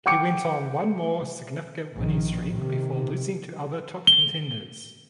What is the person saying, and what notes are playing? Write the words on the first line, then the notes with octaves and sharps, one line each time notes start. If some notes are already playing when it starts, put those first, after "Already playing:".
He went on one more significant winning streak before losing to other top contenders.
F#5 G5 D6 C#7
A#1 D#3
C3 D#3
G7